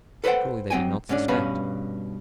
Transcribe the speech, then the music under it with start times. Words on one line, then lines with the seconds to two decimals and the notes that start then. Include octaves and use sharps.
Surely they did not suspect!
0.24 A4 B4 C5 D#5 F#5 G5
0.70 F#3 C4 G5 G#5
1.09 G#2 C#4 D4
1.28 G2 B2 C#4 B4 F5 B5